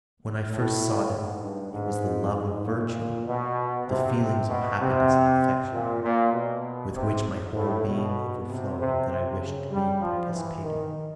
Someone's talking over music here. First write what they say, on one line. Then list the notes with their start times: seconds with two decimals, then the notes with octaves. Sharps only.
When I first sought it, it was the love of virtue, the feelings of happiness and affection with which my whole being overflowed, that I wished to be participated.
0.50 A2
1.10 G#2
1.41 G2
1.72 G#2
2.33 G#2
2.65 A#2
3.26 B2
3.87 C3
4.48 B2
4.79 C3
5.71 A#2
6.02 A#2
6.32 B2
6.94 C3
7.55 A2
7.85 B2
8.47 C3
8.78 C3
9.09 C3
9.39 C#3
9.71 G3
10.00 F3
10.31 E3
10.62 D#3